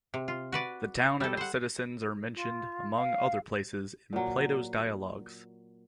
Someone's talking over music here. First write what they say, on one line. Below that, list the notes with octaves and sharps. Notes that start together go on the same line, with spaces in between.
The town and its citizens are mentioned, among other places, in Plato's Dialogs.
C3
F4
F#4 B4 D5
G3 A4
C5 F#5
F4
F5
A#2 F#3